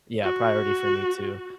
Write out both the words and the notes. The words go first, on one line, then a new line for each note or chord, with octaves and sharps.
Yeah. Priority for me too,
F#4